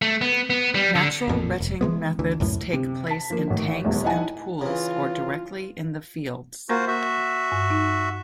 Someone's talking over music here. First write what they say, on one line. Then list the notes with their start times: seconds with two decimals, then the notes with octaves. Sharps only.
Natural retting methods take place in tanks and pools, or directly in the fields.
0.02 A3
0.21 B3
0.50 B3
0.75 G3
0.96 D3
1.28 A1 F2 A#2
1.60 F1
1.81 E3 F#3 G#3 B3
2.19 D2 E3
2.40 C#2 F#2 A2
2.73 C3
3.07 A5 B6
3.30 F3 A#3
3.48 A1 D#3
3.84 D#1 E2
4.04 D#4 E4 F#5 G#5 A5
4.61 C#3 E3 F4
6.69 A#3 F4 F#4 A#4 C5 A#5
6.88 F#4 E5
7.52 G2
7.70 D#4